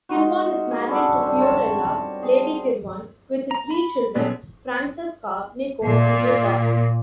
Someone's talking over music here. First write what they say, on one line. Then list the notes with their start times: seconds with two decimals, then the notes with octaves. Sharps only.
Kirwan is married to Fiorella, Lady Kirwan, with three children Francesca, Niko and Luca.
0.09 G#3 D#4 F4 F#4
0.71 G#4
0.88 B3 C#4 D4 A4
1.18 G3 C4
1.39 C4 A#4 C#5 A5
2.23 G#4
3.51 A#5
3.71 B5
4.15 B2 F#3 G#3 B3 C#4 A4
5.86 A#2